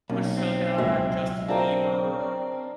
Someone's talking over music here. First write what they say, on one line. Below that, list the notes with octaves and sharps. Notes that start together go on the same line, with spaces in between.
Meshuggah, Justin Bieber,
B1 A#3 C#4
C4
C#2 A#2 F#3 D#5 E5
C4 D4 F4 F#4 A#4 D#6
D5